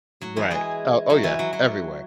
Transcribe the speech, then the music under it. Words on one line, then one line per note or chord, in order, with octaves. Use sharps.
Right, oh oh yeah, everywhere.
F#3 F#4
E3 E4
G#3 G#4
F#3 F#4
E3 E4
F#3 F#4
F#3 F#4